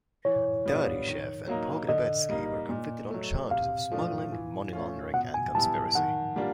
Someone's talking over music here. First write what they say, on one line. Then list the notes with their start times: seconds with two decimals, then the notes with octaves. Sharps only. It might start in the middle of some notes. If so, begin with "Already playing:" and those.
Darichev and Pogrebezskij were convicted on charges of smuggling, money laundering and conspiracy.
0.25 E3 C#5
0.66 G3 B3 D4 F4
1.07 D#3
1.48 F#3 A#3 D#4
1.89 D3 D#5
2.29 G3 A#3 D#4
2.69 A#2
3.10 F#3 A3
3.51 C3 F5
3.92 F3 A3 D4 F4
4.32 E3
4.73 A3 C#4 F4
5.14 B2 F#5
5.34 G#5
5.55 G3 B3 E4 A5
5.95 D#3 F#5
6.36 G3 A#3 D4 F4